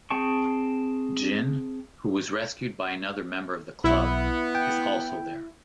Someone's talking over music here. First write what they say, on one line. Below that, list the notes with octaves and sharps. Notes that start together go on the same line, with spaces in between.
Gin, who was rescued by another member of the club, is also there.
C4 G#4 G5 A5 C#6
B1 B3 E4
G5